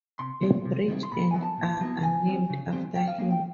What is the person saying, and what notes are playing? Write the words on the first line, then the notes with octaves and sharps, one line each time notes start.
A bridge and a are named after him.
C3 C6
D#3 G3 C4 E4
C3
D#3 G3 C4 E4
C6
A#2 B5
G#5
F#3 B3 E4
A5
A#2
F#3 B3 E4
C#3 G#5
E3 G3 C4
C#3
E3 G3 C4
F3 G5
F5
A#3 C#4 F5
G5